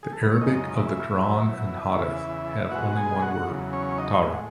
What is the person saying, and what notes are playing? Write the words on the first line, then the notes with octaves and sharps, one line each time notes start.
The Arabic of the Quran and hadith have only one word, "Tawrat".
G#4
A4
B4
C#5
F#2 C#3 G#3 D#4 D#5
E4 E5
B2 F#3
E2 C#3 E3
B2 G#3 F#4 F#5
G#4 G#5
F#4 F#5
E2 C#3 F#3
C#4 C#5
D#4 D#5
A2 G#3 E5
F#5